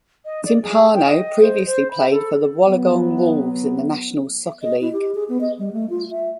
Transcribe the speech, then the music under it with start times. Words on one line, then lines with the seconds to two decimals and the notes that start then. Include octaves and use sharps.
Timpano previously played for the Wollongong Wolves in the National Soccer League.
0.25 D#5
0.45 D5
0.62 G#4
0.94 G5
1.06 D#5
1.41 C5
1.66 C5
1.90 B5
2.10 A4
2.67 F#3 B3
4.62 D#5
4.81 E4
4.93 G4
5.15 G#4
5.29 B3
5.41 D#5
5.59 G3
5.73 A3
5.90 F4
6.11 E5